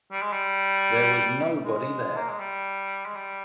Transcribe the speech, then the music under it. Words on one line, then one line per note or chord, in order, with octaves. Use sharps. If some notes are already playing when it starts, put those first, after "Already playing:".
There was nobody there.
G3
G#3
G3
G#3
A#3
G#3
G3
G#3
G3